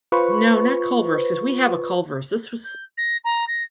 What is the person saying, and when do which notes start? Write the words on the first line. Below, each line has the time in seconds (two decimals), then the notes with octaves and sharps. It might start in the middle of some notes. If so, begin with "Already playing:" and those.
No, not Culver's ‘cause we have a Culver's, this was
0.12 F4 B4 C5 C#6
2.64 G6
2.97 A#6
3.24 A#5
3.48 A#6